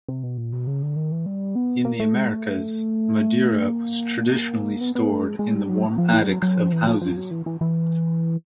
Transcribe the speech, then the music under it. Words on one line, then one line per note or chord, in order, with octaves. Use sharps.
In the Americas, Madeira was traditionally stored in the warm attics of houses.
C3
B2
A#2
B2
C#3
D3
D#3
E3
G3
B3
A#3
A3
G#3
A3
A#3
B3
B3
A3
G#3
G#3
G3
F#3
F3
E3
G3
F#3
F#3
F3
E3
F3
F3
F#3
E3
E3
E3